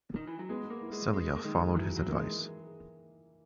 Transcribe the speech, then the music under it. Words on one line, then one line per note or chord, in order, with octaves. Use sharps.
Celia followed his advice.
D#3
E3
F#3
G#3 B3
A#3
E4
G#3
G#3 B3
A#3
D#3 G#3
E3 F#3
F#3
A#3
G#3